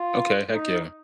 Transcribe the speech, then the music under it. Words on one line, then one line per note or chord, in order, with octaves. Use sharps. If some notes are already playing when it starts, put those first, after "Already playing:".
Okay, heck yeah.
Already playing: F4
D#4